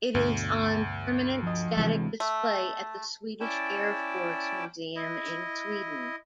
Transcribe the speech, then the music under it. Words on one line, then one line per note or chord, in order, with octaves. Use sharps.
It is on permanent static display at the Swedish Air Force Museum in Sweden.
D2 G2 B2 B3
F3 D#5
C3 E3 G#3
A3
C#4 E4 D5 G5 A5
E4 D#5